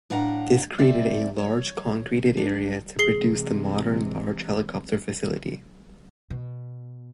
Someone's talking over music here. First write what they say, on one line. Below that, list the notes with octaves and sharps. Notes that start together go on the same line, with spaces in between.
This created a large concreted area to produce the modern, large helicopter facility.
A2 D4 F5 F#5 G#5 A#5
A3 C4 D5 E5
C#5
D4
C3 E3 G#3 G#4 C7 G7
B2